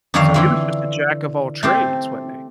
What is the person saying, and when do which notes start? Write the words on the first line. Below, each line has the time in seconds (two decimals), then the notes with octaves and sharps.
So he was just a jack-of-all-trades, wasn't he?
0.14 F2 D3 D#3 D4 C#5 F5
0.34 D3 E3 F4
1.63 A3 C4 G4